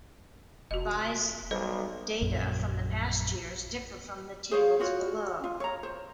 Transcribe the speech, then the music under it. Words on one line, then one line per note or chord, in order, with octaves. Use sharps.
Revised data for the past years differ from the tables below.
F1 F#4 D#5
B1 G3 A4 C5 D#5
A#1 F#2
G#4 C5 C#5 F5
F4 F#4 C#5
F4
C#5 A#5
C5